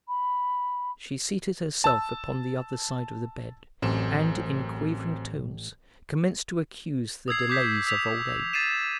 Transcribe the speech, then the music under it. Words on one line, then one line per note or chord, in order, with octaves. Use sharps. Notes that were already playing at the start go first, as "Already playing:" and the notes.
She seated herself upon the other side of the bed and in quavering tones commenced to accuse the delays of old age.
B5
A5 E6
A1 F#2 C4 E7
D#6 E6 G#6 C7
D6 D#6 G6 B6 C7
E6 B6 F7
A6 C7 D#7 E7